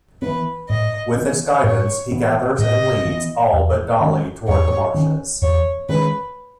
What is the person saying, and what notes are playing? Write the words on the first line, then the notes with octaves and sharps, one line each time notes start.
With its guidance, he gathers and leads all but Doli toward the Marshes.
E3 B3 B4
A2 D#5
B3
E3
A2 C#5
E3 B3
A2 D#5
E3 B3
E2
D#3 G#3 C#4
E2 C#5
D#3 G#3 C#4
E2 C#5
D#3 G#3 C#4 B4